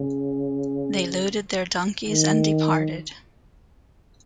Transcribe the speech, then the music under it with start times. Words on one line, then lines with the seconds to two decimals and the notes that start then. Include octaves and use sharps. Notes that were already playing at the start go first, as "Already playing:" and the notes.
They loaded their donkeys and departed.
Already playing: C#3
2.08 D#3